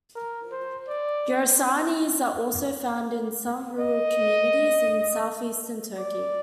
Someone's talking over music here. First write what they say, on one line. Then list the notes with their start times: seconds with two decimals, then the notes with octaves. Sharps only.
Yarsanis are also found in some rural communities in southeastern Turkey.
0.16 A#4
0.52 C5
0.88 D5
3.79 D#5
5.98 D5